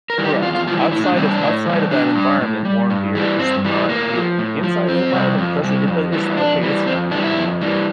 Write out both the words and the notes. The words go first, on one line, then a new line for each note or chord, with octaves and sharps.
Correct, outside of outside of that environment, warm beer is not appealing, inside the environment, it doesn't it do it's not okay, it's fine, you know, like
A#4
E3 G3
G4
E2 F4
F4
E3 G3 F4
E4
A2 E4
D4
E3 G3 C4
D4
A2
E3 G3
A2 D4
G3
A2
G3
G2
E3 G3
G2 C4
E3 G3
A2 A#3
F3
A2
F3
F2 C4
C3 G3
F2
C3 G3
F2
E3 G3
F2 D4
E3 G3
F2 C4
E3 G3 D4
E4
F2
E3 G3